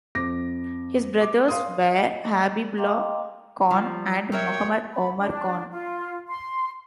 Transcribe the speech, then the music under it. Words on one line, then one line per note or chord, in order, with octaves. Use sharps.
His brothers were Habibullah Khan and Mohammed Omar Khan.
F2 D6 A#6
D6
F5 C6 D#6
D#5
D#5 F5 G5 A#5 C6 D6
F3 G3
F#3 A#4 C#5 E5 G5
B5
D4
F4
C6